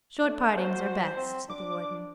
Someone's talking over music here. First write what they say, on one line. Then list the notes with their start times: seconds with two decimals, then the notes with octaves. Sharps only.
"Short partings are best," said the Warden.
0.23 A3
0.58 F#4 C5
1.17 C4
1.50 D4 D6